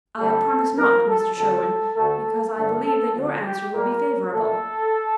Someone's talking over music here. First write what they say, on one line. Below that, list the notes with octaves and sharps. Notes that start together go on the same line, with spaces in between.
"I promise not, Mr. Sherwin--because I believe that your answer will be favourable."
F2 D3 G3 A4
G2 F3 A#3 A#4
A4
F2 D3 F3 A4
D2 D3 A3 A4
G2 D3 F3 A3 A4
A4
D2 D3 F3
G4
A#2 G3 A#3 A#4
A#2 A3 A4